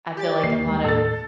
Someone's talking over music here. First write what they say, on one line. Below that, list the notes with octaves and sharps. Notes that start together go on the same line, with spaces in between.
I feel like, a lot of
G4 D5 A6
D#2 D#3 E3 C7
G3 G#3
A2 A4 A6